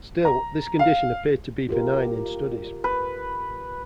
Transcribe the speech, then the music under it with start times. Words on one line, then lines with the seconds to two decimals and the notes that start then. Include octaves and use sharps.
Still, this condition appeared to be benign in studies.
0.25 A#5
0.79 F5
1.69 F4 G4 A#4
2.84 B4